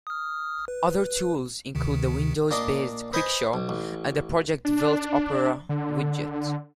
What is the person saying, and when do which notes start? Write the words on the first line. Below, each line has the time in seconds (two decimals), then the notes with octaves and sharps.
Other tools include the Windows-based QuickShow, and the Project Velt Opera widget.
0.07 D#6 F6
0.68 B4
1.75 D2 C3 D#3
2.51 A#2 D4 D#5 C6 D6
3.13 B4 C5 D#5 G#5
3.54 B1
3.69 A1
4.65 D4
5.69 D3